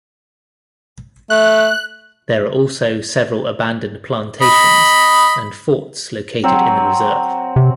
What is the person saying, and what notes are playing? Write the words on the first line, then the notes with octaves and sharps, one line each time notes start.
There are also several abandoned plantations and forts located in the reserve.
A3 F#6
D#5 B5
F#3 C4
C3